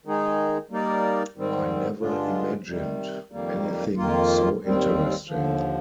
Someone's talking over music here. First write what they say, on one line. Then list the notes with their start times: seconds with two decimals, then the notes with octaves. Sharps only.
I never imagined anything so interesting.
0.06 D#3 G#3 D#4 G#4
0.70 G3 A#3 D#4 A#4 D5
1.36 G#2 D#3 G3 C4
2.01 G2 D3 G#3 D4 F4
2.67 C3 D#3 G3
3.32 F2 D#3 G3 A#3
3.97 F2 D#3 A#3 F4
4.63 D#2 D#3 G3 C4
5.27 D#2 D3 F3